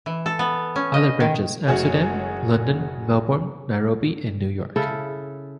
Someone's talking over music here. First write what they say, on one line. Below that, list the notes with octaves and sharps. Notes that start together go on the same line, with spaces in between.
Other branches: Amsterdam, London, Melbourne, Nairobi and New York.
E3
A4
B3
C#4
D#5
D#3
F#1 A3 F#4 G#4 C#5
C#3 E4 A4